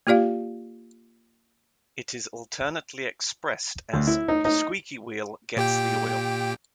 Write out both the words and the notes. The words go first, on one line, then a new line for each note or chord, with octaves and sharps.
It is alternately expressed as "The squeaky wheel gets the oil".
A#3 F4 G4 D5 F5
D2
E4
D#4
D#4
A#2 G4 G5